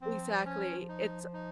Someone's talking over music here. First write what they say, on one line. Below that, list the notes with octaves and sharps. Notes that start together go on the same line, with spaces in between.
Exactly. It's, uh
F3 C4
C#4
D#4
D#4